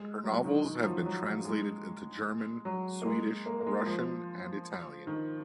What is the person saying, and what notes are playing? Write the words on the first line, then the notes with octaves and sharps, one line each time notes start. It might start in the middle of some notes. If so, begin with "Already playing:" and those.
Her novels have been translated into German, Swedish, Russian and Italian.
Already playing: G#3
F#3
D#3
D#3
F#3
F3
F#3
G#3
F#3
A#3
G#3
A#3
A#3
G#3
F3
D#3